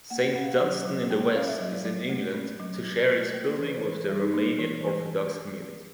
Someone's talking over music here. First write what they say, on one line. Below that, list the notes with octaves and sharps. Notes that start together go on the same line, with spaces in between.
Saint Dunstan-in-the-West is in England to share its building with the Romanian Orthodox community.
A#3 F#5
C#4 F#5
F5
F#5
F#3
F#3
A#3
C#4 F5
E5
F#3 D#5
D5
F#3 D5
A3
C#4
F#3
F#3
A3
A#3
E3 C5
B4
C5
A#4
E3 B4
A4
G3 G#4
D#4
A#3 D#4
E3
E3